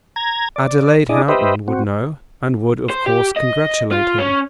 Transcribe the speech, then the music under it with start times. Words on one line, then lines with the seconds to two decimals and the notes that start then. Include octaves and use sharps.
Adelaide Houghton would know, and would, of course, congratulate him.
0.16 A#5 G#6
0.56 D5
1.09 D4 E4 G#4 D5 D#5
1.28 G4 B4 C5 D#5 E5
1.68 C4 F#4
2.90 C5
3.06 G4
3.37 D#5
3.92 F4
4.19 C#4